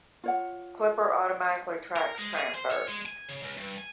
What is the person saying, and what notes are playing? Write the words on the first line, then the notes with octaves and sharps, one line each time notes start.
Clipper automatically tracks transfers.
F4 C#5 F#5
A#4
G#3
G#4
C5
C#5
G#3
G#5
C#3
C#2
G2
G#5